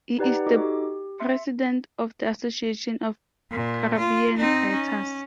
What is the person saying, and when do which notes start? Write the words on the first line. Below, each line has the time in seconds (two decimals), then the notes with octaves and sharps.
He is the president of the Association of Caribbean Writers.
0.19 D#4 G4 B4 D5 F#5 A#5
0.47 D#4 F#4 A4 D#5 D6
0.62 G4
1.19 E5 C6 C#7
3.52 A#2
3.98 F4
4.38 C4 D#4
4.73 C#4